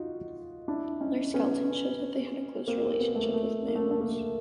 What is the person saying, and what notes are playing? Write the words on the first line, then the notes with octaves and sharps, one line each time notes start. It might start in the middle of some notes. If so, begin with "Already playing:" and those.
Their skeleton shows that they had a close relationship with mammals.
Already playing: D#4 F4 F#4
D4 E4
C#4 D#4
B3 C#4
A#3 C4
B3
A#3
A3
A#3
A3
A#3
A3
A3
A#3